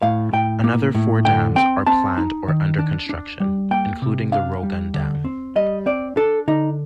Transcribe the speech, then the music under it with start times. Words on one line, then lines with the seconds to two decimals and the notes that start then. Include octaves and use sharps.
Another four dams are planned or under construction, including the Rogun Dam.
0.02 A2 F5
0.33 A2 G5
0.64 A#3
0.95 A2
1.25 D3 G5
1.56 C4 G5
1.87 C4 A5
2.18 D#4
2.48 D#3
2.79 D4
3.09 D4
3.40 G3
3.71 A#3 G5
4.02 C3
4.32 D4 F5
4.63 G3
4.94 D3
5.25 C4
5.56 G3 D#5
5.86 C4 D5
6.17 D4 A4
6.48 D3 D#4